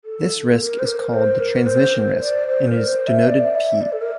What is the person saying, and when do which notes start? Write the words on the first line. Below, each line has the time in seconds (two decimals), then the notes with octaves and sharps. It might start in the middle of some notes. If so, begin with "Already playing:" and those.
This risk is called the transmission risk and is denoted "p".
0.05 A4
0.59 A#4
0.79 C5
0.86 A#4
1.13 C5
1.40 A#4
1.66 C5
2.20 D5
2.47 C5
2.68 A#4
2.88 C5
3.07 E5
3.28 D5
3.54 E5
3.82 D5
3.92 A4
4.01 A#4